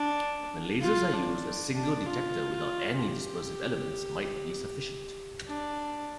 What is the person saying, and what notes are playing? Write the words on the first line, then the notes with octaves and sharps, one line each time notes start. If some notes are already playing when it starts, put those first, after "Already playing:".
When lasers are used, a single detector without any dispersive elements might be sufficient.
Already playing: D4
F4
D4
D4
F4
G4
D4